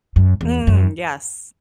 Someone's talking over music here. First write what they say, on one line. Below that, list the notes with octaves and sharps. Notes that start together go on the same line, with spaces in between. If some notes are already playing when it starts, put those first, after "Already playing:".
Mm, yes.
F#2
E2
F#2